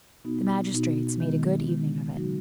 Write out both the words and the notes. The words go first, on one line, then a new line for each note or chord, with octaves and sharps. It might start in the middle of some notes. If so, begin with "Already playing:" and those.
The magistrates made a good evening of it.
B2 B3 D#4 F#4
B2 B3 D#4 F#4
D#3 G#3 B3
D#3 G#3 B3
C#3 F#3 D#4 F#4